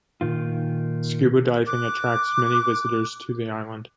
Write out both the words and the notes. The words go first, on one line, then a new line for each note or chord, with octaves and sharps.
Scuba diving attracts many visitors to the island.
A#2 D#3 F4
D6 F#6